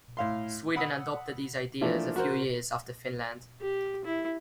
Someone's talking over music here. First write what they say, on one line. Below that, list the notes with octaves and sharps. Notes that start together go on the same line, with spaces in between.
Sweden adopted these ideas a few years after Finland.
A2 F5 C6
F#5 B5 D#6 E6
E3 F3 A3 A#3 D4 F4
F#4 A#4 C5
G4
E4